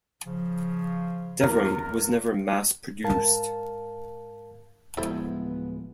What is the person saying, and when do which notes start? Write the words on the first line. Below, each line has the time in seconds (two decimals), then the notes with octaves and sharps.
Devrim was never mass-produced.
0.24 C#3 F3
1.41 E2 A#4
3.04 G#2 A#4 F5 A5
4.97 D1 F3 G#3 B3 E4 A4 C5